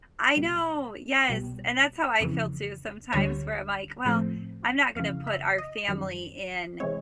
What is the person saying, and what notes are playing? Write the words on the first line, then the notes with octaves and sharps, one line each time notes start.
I know, yes, and that's how I feel too sometimes where I'm like, well, I'm not gonna put our family in
C#2 B2 G3
C2 B2 G3
F2 C#3 E3
D2 D3 G3 C#5
A2 F3 A3 C4
F2 C#3 E3 F5
E5
D#5
F#2 D#3 G3
C3 E3 G#3 C4 C#5